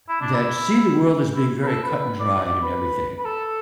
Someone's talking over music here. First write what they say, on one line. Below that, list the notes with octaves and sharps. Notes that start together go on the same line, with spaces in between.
that see the world as being very cut-and-dried and everything,
E4
D4
E4
E4
B4
A4
B4
B4
D5
D5
B4
B4
A4